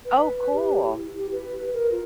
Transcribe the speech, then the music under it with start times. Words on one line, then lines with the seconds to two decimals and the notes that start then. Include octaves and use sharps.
Oh, cool.
0.05 B4
0.53 G4
0.86 E4
1.18 G4
1.32 B4
1.73 A#4
1.91 F4